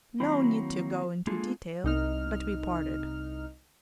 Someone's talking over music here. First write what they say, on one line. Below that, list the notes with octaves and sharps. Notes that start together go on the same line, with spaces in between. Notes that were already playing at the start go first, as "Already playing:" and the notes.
No need to go into detail, but we parted.
D#3 F#3 A#3 C4 E4
G#3 A#3 D4 F4 G#4 A4
C2 D#4 F6